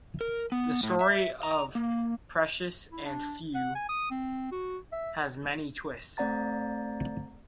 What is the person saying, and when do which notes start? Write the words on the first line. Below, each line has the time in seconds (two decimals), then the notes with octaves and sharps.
The story of "Precious and Few" has many twists.
0.21 A#4
0.52 B3
0.83 A2
1.01 E5
1.43 A#5
1.75 A#3
2.92 E4
3.05 D4
3.55 F#5
3.75 G#5
3.89 D#6
4.11 C4
4.52 F#4
4.93 E5
6.17 A3 C4 D5 F#5 A#5 A6